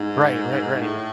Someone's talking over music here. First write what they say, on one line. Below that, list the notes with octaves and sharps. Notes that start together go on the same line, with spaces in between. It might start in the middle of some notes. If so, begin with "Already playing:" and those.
Right. Right, right.
Already playing: G#2
A2